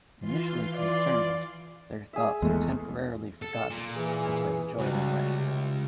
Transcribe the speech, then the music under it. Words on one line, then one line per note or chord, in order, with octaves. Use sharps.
Initially concerned, their thoughts are temporarily forgotten as they enjoy their wedding night.
E3 F4 C6
D5
G#4 E5
E2 G#3 A3
A4
A#2
E3 G#4
C#2 G3 F#4
C3